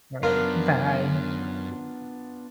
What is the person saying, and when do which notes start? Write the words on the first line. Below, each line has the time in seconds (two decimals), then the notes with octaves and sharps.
Right, bye.
0.23 F#2 B3 D4 F4 A#4 F5